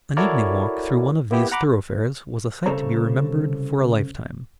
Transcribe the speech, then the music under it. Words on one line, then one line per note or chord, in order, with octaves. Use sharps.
An evening walk through one of these thoroughfares was a sight to be remembered for a lifetime.
E4 F#4 A4 A#4 C#5 D5
A#3 B3 E4 G4
F#5 A#5 B5 D6
C2 C#3 A4 C5 C#5 A#5